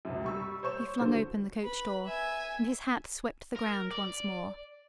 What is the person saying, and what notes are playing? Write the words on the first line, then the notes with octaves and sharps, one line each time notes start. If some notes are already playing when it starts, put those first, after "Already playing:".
He flung open the coach door, and his hat swept the ground once more.
C#2 F#2
G3 C#6 E6
C5 C#5 C#6 E7
D3 F#3 C5
B4 B5
E5 G#5
A#4
D5